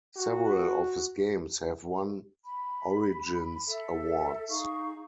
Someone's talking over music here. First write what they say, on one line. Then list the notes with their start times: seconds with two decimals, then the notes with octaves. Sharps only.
Several of his games have won Origins Awards.
0.16 F#4
2.45 B5
3.66 A4 E5
4.49 D#4 G#4 F5 C#6